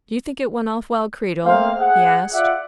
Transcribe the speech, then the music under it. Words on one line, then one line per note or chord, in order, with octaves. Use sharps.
"Do you think it went off well, Creedle?" he asked.
A3 A#3 C4 C5 F5
G#4 F#5
F4 D5 E5 F#5